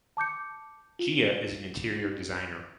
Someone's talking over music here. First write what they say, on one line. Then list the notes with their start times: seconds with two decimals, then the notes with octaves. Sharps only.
Jia is an interior designer.
0.17 A5 D6 G6 C#7
0.99 F4